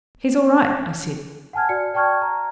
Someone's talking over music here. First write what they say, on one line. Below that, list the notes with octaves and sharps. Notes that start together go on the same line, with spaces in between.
'He's all right,' I said.
F#5 G#5 A5 F6 G#6
F#4 D5 C#7
D5 G5 A5 C#6 F6 G#6
A#5